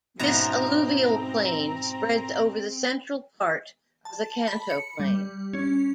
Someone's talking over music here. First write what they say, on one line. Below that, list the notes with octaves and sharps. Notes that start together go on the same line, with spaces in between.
This alluvial plain spreads over the central part of the Kanto Plain.
G#2 B2 F3 C4 C#4 E4 A#5
A5
B5
C#7
G3
C#4